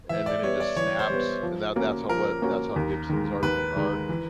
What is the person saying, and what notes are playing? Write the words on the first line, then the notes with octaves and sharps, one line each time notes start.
and then it just snaps, and tha that's how tha that's how Gibson's are mea are
E3 E5
D5
G3 B3 C#5
D5
E3 C#5
C5
G3 B3
F3
A#3 C#4 F#4
F3 A#4
A#3 C#4 F#4
D#2
D#3 G#3
D#2 B4
D#3 G#3
E3